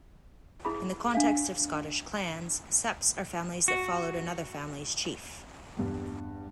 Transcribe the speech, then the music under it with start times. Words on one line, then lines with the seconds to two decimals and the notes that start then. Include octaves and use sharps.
In the context of Scottish clans, septs are families that followed another family's chief.
0.65 E4 G#4 B5
1.15 D4 F5
3.68 F#4
5.77 E2 G2